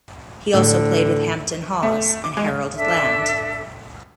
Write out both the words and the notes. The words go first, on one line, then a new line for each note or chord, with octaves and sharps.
He also played with Hampton Hawes and Harold Land.
D2 A2 D3
A3
D6
G#3
D4 A4 E5